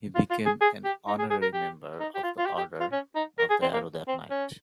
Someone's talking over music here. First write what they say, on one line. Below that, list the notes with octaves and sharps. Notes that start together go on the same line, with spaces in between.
He became an honorary member of the Order of the Arrow that night.
F4
F4
G#4
G#4
G4
D#4
G#4
G#4
A#4
G4
D#4
G4
F4
F4
G4
G4
F4
C#4
D#4
A#4
G#4
C4
A#3
C4
C#4